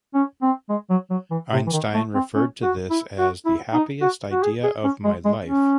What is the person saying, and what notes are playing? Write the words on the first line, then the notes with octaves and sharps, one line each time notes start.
Einstein referred to this as "the happiest idea of my life".
C#4
C4
G#3
F#3
F#3
E3
C3
E3
D#3
A3
C4
C#4
F#4
E4
F#4
E4
D#4
F#4
F#4
G#4
G#4
C#4
G#3
G#3
C#4